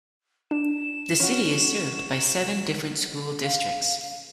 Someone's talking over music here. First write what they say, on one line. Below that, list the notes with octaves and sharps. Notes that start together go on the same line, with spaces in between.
The city is served by seven different school districts.
D4 E7
C#4 F#4
F5